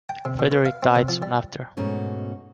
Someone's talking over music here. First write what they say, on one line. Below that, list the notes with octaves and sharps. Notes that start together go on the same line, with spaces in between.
Frederick died soon after.
G5
C3
B2
B4
F5
C4
C3
F3
G3
G#2 B2 A3 C#4 F#4